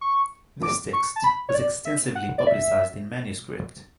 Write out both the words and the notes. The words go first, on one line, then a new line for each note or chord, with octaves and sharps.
This text was extensively publicized in manuscript.
C#6
D6
C#6
A5
B5
C#5
D5
E5
F#5
D5
E5